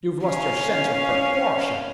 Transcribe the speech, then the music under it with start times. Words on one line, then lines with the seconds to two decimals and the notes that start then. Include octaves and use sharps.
You've lost your sense of proportion.
0.25 C#4 F5